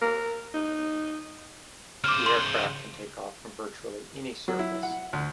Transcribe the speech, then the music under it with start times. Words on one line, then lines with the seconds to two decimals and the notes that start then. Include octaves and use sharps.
The aircraft can take off from virtually any surface.
0.02 A#4
0.54 D#4
2.04 C#3 C5 D6 F6
2.26 C6
4.48 F#3
4.59 E4
4.83 F#5
5.13 D2